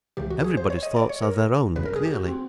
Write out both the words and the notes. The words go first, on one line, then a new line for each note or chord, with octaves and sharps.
Everybody's thoughts are their own, clearly.'
C#2 C#3 E3 G4
F#4
G#4
C5
C#5
D#5
D5
C#5
A#4
G1 F#2 C#3 B4
A#4
G#4
G4
F#4
C4